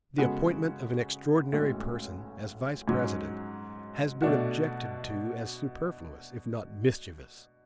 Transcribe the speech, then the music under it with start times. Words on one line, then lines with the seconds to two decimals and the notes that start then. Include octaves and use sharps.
The appointment of an extraordinary person, as Vice-President, has been objected to as superfluous, if not mischievous.
0.18 C#3 G#3 B3 F#4 A4
1.52 B1 A2 G#3 C#4 F#4
2.88 G#2 F#3 C#4
4.22 B2 A3 D4 F#4